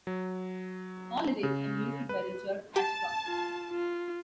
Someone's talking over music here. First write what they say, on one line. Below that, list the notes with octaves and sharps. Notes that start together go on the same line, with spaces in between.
All lyrics and music by Richard Ashcroft.
F#3
C#3
B4
G4 A5
F4
F4